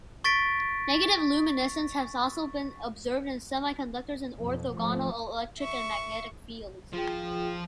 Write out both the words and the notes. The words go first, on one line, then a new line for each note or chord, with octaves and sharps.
Negative luminescence has also been observed in semiconductors in orthogonal electric and magnetic fields.
C#6 A6 B6 D7
B1 F2
G#1 F3 A3
E5 C#6
F3 F4 G#4 G5